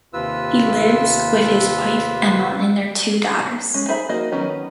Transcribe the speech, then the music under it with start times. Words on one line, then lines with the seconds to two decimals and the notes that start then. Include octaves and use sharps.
He lives with his wife Emma and their two daughters.
0.13 D#2 C3 F4 B4 E6
3.74 G#3 C#4
3.88 D#4 G#4 C5 E5 B5
4.09 A#3 D#4 F#4 D#5
4.32 D#3 F#3 B3 C#4 D#4